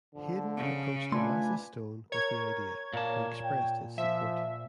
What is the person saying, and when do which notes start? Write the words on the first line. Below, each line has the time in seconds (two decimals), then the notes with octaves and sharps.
Haydn approached Amasa Stone with the idea, who expressed his support.
0.15 D3 F3
0.56 C#3
1.12 A3 D4 F4 B4 G#5 C6
2.12 A#4 C#5 G#6
2.93 A#2 A#3 A5
3.44 G5
3.98 F3 E5